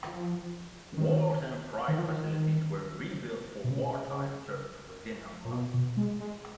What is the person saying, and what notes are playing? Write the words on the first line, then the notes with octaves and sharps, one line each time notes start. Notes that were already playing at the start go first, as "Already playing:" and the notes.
Wharves and freight facilities were rebuilt for wartime service within a month.
F3
D#3
D#3
F3
D#3
B2
C#3
A#2
B2
B2
G#3
G#3